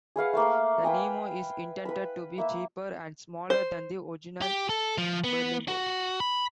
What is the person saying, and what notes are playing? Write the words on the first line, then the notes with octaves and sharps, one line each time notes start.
The Nemo is intended to be cheaper and smaller than the original Berlingo.
G#4 B4 F5 F#5
A3 A#3
B4 G5 G#5 D#6
B4 B5
A#3 E5
C5
G4
A4
F3
B3
F#4
B5